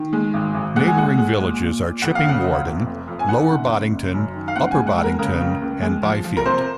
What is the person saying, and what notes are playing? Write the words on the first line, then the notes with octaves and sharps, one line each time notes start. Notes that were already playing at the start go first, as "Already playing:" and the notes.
Neighbouring villages are Chipping Warden, Lower Boddington Upper Boddington and Byfield.
Already playing: D#3
G#3
G#1
G#1
G#3 F#5
G#5
G#3 F#5
G#3
A#2
A#2
A#2
F2 F#5
F5
C#3
F#5
F1
F2
F1
F2
G#5
D#3 F#5
F#1
F#1
F#1
F#2
D#3
F5
C#2 F#5
G#5
G#3
F#5
G#3
A#4
C#3 A#4
C#2
C#2
G#3
F3
F3
A#4
C3 C5